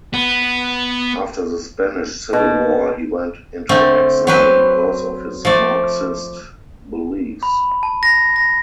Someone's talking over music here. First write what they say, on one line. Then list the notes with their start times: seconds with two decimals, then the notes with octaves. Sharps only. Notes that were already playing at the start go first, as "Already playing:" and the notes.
After the Spanish Civil War, he went into exile because of his Marxist beliefs.
0.14 B3
2.33 B2
3.69 D3 A3 C4
4.27 F#3 C4 B4
5.45 F3 A3 D5
7.43 B5
7.83 A5
8.03 A#6
8.36 A#6